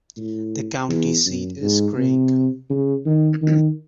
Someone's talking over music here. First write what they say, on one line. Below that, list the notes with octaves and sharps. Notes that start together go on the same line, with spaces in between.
The county seat is Craig.
A2
E2
F#2
G#2
C3
C#3
D#3
D#3